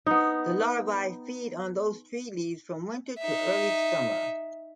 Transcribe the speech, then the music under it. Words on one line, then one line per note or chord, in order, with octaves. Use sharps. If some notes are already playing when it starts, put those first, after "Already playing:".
The larvae feed on those tree leaves from winter to early summer.
B3 D#4
D#4 E5